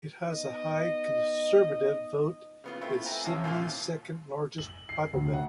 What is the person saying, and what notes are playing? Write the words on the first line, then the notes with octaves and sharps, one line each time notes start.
It has a high conservative vote and is Sydney's second largest bible belt.
B3 D#4 D#5
C#3 B3 F4
A3 B3 C4 E4 F4
E5 G5 G#5 A#5
C#2 C3 C#4 F5 A5 E6
D#2 A#2 E4 C6 F6
F#7
C7
D2
F#5